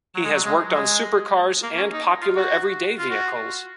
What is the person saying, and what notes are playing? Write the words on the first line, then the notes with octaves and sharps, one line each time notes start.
He has worked on supercars and popular everyday vehicles.
F#3
G#3
F#3
G#3
F#3
G#3
A#3
C#4
D#4
F4
F#4
F4
F#4